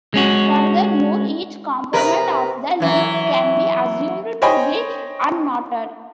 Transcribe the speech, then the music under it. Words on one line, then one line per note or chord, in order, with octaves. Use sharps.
Furthermore, each component of the link can be assumed to be unknotted.
G#3 C#4 F#4
C3 A#4 B4
E3 F#3
C5 C#5 D#5 G5 G#5 B5